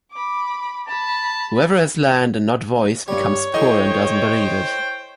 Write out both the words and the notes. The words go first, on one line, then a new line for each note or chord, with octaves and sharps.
Whoever has land and not voice, becomes poor and doesn’t believe it.
B5 D6
A5 B5
G2 G3 C#5
E3 A3 C5 D#5 G5